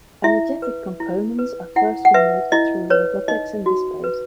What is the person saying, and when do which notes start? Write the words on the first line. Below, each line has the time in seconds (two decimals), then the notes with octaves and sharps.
Energetic components are first removed through robotics and disposed.
0.24 E4 E5
0.62 B4
1.00 E4
1.39 B4
1.76 E4 F#5
2.05 F#5
2.14 B4 E5
2.52 E4 D#5
2.90 B4 C#5
3.28 D#4 D#5
3.66 F#4
4.04 B4